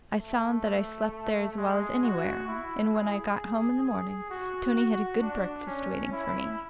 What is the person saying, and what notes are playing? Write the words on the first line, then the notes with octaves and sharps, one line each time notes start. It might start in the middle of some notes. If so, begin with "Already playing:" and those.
I found that I slept there as well as anywhere, and when I got home in the morning, Tony had a good breakfast waiting for me.
A3
G#3
F#4
E4
G#4
G#4
F#4
F#4
D4
C#4
E4